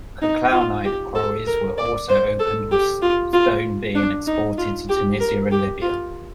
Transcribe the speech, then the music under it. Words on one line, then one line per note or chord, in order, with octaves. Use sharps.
Calcarenite quarries were also opened with stone being exported to Tunisia and Libya.
D#4
F4
G4
A4
A#4
D5
C5
A4
G4
F4
F4
D4
D#4
F4
G4
A#4
G4
F4